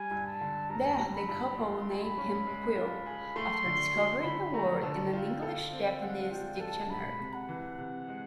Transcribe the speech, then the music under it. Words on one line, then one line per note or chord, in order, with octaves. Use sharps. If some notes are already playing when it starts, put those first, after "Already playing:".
There, the couple name him "Quill", after discovering the word in an English-Japanese dictionary.
Already playing: G3 G#5
G2
A5
D3
G2 A#5
G3
B5
G2
F4 C6
G#4
B5
C#4
G#3
F4
G#4
A3 C6
D3
F#3
D3 B5
A3 A#5
D3 A5
F4 G5
A4
C4
G#3 F#5
F4 G5
A4 A5
G#3 B5
C3
F#5
E3
C3
G#3